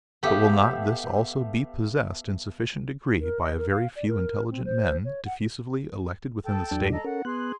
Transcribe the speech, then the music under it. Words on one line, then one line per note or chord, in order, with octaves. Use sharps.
But will not this also be possessed in sufficient degree by a very few intelligent men, diffusively elected within the State?
B3 G4 A4 E5 F5
A#4
D#5
A#4
F5
D5
A#4
C4
C5
C#5
F#5
A4 G5 A5
E2 F#3 D4
A4 D#5 A#5
C#4 A4 A#4 F#5
B3 G#4 C6 F#6